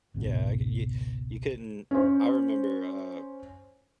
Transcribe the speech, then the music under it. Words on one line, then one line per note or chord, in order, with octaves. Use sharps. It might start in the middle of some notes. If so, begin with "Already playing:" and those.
Yeah, I c y you couldn't I remember, uh,
G#1 C#2 G#2 B2
C#4 C5